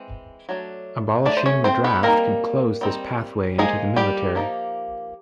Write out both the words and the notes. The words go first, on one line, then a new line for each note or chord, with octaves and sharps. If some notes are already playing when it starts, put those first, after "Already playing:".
Abolishing the draft could close this pathway into the military.
Already playing: E3 G#3 C4
F#3 A3 D4
F#3 A3 D4 D5
C5
C#4 C#5
C4 C5
B3 B4
G3 A#3 C4 D#4 A#4
G3 C4 D#4
F3 G#3 A#3 D#4 G#4
G3 G4
F3 A#3 D#4